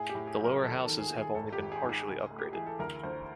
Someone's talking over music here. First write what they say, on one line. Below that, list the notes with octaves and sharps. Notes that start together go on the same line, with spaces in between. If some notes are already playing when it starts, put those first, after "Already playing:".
The lower houses have only been partially upgraded.
Already playing: A2 G#4
G4
A2
G#4
F#3
A#4
D#2 A4
A4
D#3
G#4
D#3
G#4
G#1 A4
G4
G#1
G#4
G#2
G#4
C#2
A3
G4
E3 G#4
A4
D2 A#4
D2 C5